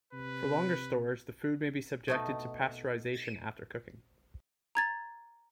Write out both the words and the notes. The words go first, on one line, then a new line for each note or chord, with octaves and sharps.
For longer storage the food may be subjected to pasteurization after cooking.
C3 B4
B2 A3 D#4
A#5 G#6 A6